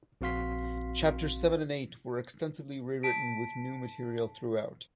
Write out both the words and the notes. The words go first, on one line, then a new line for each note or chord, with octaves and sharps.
Chapters seven and eight were extensively rewritten with new material throughout.
A#1 C4 F#4 F5 C6 B6
A5 B6 D7